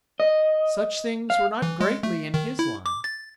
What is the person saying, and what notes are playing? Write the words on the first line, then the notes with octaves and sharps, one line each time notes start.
Such things were not greatly in his line.
D#5
F5
E3
G#3
A3
D#3
E4
D6
A6